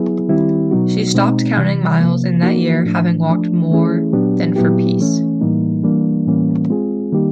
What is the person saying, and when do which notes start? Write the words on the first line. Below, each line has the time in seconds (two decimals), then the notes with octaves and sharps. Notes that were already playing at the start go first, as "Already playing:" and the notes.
She stopped counting miles in that year, having walked more than for peace.
Already playing: F#3 B3 E4 G#4
0.29 D#3 G3 C4 E4 G4
0.71 B2 F#3 B3 D#4 F#4
1.14 B2 G#3 C4 D#4
1.57 C3 E3 G3
1.99 C3 F3 A#3
2.42 F3 A#3 D#4 F#4
2.85 A2 F3 A3 D4
3.28 F3 A3 D4
3.71 E3 A3 C#4 E4 G#4
4.13 A#2 F#3 B3 D4 G4
4.56 A#2 F#3 B3 E4 G4
4.99 E3 A3 C#4
5.41 A2 E3 G3 A#3 D#4
5.83 E3 G3 A#3 D4
6.26 A2 E3 G3 A#3 C#4
6.70 G#3 C4 F4 G#4
7.12 D#3 G3 A#3 D#4 G4